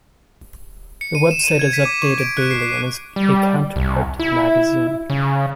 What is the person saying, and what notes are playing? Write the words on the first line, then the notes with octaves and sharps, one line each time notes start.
The website is updated daily and is a counterpart to the magazine.
C#7
D#7
E7
D#7
G#6
B6
D6
C#6
D7
F#6
C7
C7
G3
C2
E4
C#3